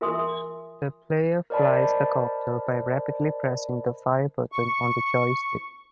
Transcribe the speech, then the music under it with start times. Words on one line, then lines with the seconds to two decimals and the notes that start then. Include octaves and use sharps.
The player flies the copter by rapidly pressing the fire button on the joystick.
0.01 F4 A#4 E5 G#5 C6 D#6
1.50 A#4 C5 D5 D#5 A5 B5
4.52 C#6